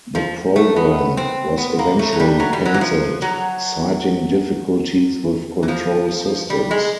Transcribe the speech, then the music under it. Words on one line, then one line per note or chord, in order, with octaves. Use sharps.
That program was eventually cancelled, citing difficulties with control systems.
F3
A3
B3
C4
B3
A#3
A3
F#3
G3
F#3
G3
F#3
E3
F3
F#3
E3
F3
G3
G#3